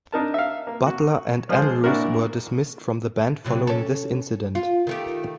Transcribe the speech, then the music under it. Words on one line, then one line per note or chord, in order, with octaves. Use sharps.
Butler and Andrews were dismissed from the band following this incident.
D4 D#4 A#4 A5
E5 F5
A#3
F#4
F3 G#3 C5
A#2 D4 E4 F#4 A#4
A2 C3 F#3
C#4 A4
F4
D#3 A3 G4